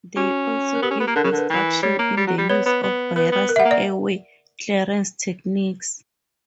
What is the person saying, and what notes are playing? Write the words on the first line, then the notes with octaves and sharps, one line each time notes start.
They also give instruction in the use of various airway clearance techniques.
C#4 F#4
A#4
B3 G4
C#4
B3
A#3
D3 A#4
C#3
A#4
D3
B4
E3
G3 C#5
A#3
G3
F#3
G3
B3 C#5
B3
B3
B3 B4
B3
A#4
G3 E5 F#5
A#3
D5